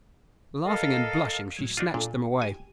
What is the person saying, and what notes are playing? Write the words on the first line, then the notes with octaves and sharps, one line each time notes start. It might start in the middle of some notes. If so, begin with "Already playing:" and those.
Laughing and blushing, she snatched them away.
A4 A#4 D#5 F5
A2 F#3 G#6
D4 D#4 F4
A#2 D4 F4 A4
G4 G#5